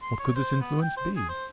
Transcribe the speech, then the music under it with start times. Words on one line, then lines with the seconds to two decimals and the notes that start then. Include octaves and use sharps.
What could this influence be?
0.02 C6
0.19 C#5
0.35 C5
0.61 B3
0.82 G5
0.97 C5
1.16 G#4
1.29 C5